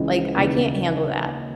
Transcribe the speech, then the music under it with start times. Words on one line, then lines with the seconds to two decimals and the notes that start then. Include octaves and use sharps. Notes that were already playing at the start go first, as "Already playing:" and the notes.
like, "I can't handle that."
Already playing: C#2 C#3 E3 G#3 B4 D#5
0.36 D#2 C#3 E3